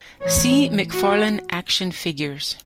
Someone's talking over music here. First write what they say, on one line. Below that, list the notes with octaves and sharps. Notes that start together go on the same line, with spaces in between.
See McFarlane Action Figures.
A2 E3 C#5
F#4